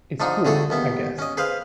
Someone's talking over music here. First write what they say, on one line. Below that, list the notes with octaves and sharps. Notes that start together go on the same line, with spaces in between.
It's cool-I guess.
G#2 F3 D4 D#4
D3 A3 F#4 G#4 A4
D#2 B3 E4
C#4 D#5
G#4 B4 C5 F5